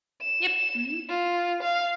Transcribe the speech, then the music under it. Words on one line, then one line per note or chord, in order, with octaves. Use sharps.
Yep, mhm.
E7
F4
F5